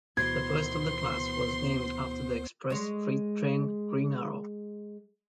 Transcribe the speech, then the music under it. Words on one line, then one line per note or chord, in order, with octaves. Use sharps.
The first of the class was named after the express freight train "Green Arrow".
D2 B2 E3 B3 C5 C6 G#6
G#3 C#5